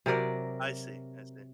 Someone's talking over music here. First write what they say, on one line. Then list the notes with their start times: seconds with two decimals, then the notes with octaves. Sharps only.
I see, I see.
0.06 C3 F#3 A#4 D5